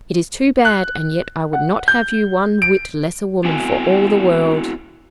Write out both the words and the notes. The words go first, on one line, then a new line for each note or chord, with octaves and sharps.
It is too bad; and yet I would not have you one whit less a woman for all the world.
F#6
F#5
G6
D7
B3 C4 E4 F#4 G#5